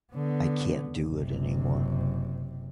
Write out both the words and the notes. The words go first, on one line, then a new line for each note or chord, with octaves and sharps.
I can't do it anymore.
D3 B3
F#1 C3